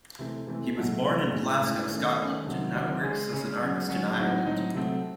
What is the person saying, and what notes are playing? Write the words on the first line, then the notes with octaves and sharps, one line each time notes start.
He was born in Glasgow, Scotland, and now works as an artist in Ireland.
C3 E3 A3 C4
C3 E3 A3 C4
C3 F#3 A3 D#4 G#4
C3 F#3 A3 D#4 G#4
A2 G#3 C#4
A2 G#3 C#4
D#3 A3 C#4
D#3 A3 C#4
C3 D#3 F#3 C4
C3 D#3 F#3 C4
C#3 G#3 C#4 G#4
C#3 G#3 C#4 G#4
F#3 C#4 G#4
F#3 C#4 G#4
A2 F#3 C4 D#4 F#4
A2 F#3 C4 D#4 F#4
C3 F#3 A3 C4